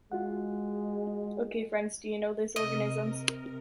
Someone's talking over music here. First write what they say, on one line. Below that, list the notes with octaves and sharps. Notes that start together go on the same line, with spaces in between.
Ok, friends, do you know this organisms?
G#3 F4 F#4 F#5
C3 A#4 D#5